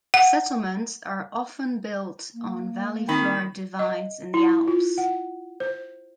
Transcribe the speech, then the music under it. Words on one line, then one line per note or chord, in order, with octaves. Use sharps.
Settlements are often built on valley-floor divides in the Alps.
F#5
A#3
D#3 C4 B5
D#5
E4
F4
F#5
C5